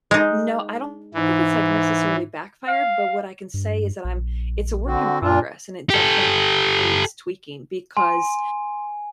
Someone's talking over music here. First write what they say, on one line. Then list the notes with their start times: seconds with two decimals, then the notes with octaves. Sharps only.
No, I don't think it's, like, necessarily backfired, but what I can say is that I'm it's a work in progress, and it definitely needs tweaking because
0.11 G#3 D#4
1.14 G#2 E3
2.68 F5
3.54 G2
4.05 A#1
4.86 D3 C4 F#4
5.22 F#2 A#2 D4 F4
5.90 G4 A4
7.97 G#5 C6